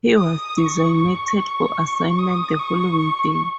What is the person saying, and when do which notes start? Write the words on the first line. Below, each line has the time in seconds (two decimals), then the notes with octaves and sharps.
He was designated for assignment the following day.
0.18 D#6
0.58 C#6
0.98 C#6
2.19 D#6
2.59 C#6